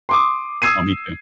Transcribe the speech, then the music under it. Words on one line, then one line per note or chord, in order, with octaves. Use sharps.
Oh, me too.
C6 D6 D#6
D#6 E6 G#6 C7 D#7